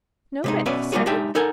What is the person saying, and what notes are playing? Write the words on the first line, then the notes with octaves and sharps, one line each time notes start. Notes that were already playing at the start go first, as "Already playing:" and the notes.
"Nobody, sir."
C3 G#3 D#4
B2 C#4 B4 D5 E5
G3 G#3 A#3 F4 F#4 G#4
G#3 D4 D#4 G4 E5 G5
D#4 A4 A#4 F#5 G#5